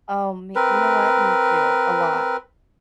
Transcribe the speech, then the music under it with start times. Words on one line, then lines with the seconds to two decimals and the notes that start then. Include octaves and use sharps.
Oh, me you know what? Me too, a lot.
0.56 C4 A#4 B4